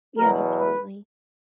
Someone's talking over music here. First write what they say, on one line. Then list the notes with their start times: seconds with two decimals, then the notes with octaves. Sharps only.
Yeah, absolutely.
0.18 E2 B2 F#3 A#4
0.55 B4